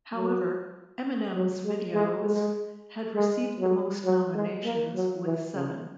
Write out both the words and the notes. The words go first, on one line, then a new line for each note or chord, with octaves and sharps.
However, Eminem's videos have received the most nominations with seven.
F#3
F#3
G#3
G#3
G#3
G#3
F#3
F#3
G#3
A#3
F#3
E3
C#3